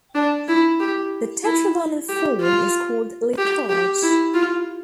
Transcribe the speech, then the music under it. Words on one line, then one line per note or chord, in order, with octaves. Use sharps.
The tetragonal form is called litharge.
D4
E4
G4
E4
G4
F4
G4
G4
E4
F4